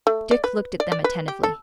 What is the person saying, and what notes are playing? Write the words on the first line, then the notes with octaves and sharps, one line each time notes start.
Dick looked at them attentively.
A3
D5
B4
D5
D5
B4
G4
A4